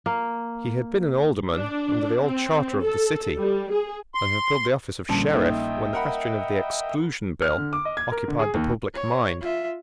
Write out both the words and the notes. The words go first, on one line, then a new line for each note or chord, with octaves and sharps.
He had been an Alderman under the old charter of the City, and had filled the office of Sheriff when the question of the Exclusion Bill occupied the public mind.
A#3
D4
C4
A4
G3
G#4
C6
A#1 A#2 D3 G3 C#4 A5
A#3 D#4 A4 D#5 E5 G5
A#4 F#5 B5
F6
D3
D6
D#5
G#6
A#4
D3
G#4
D#2
C#5
F4 E5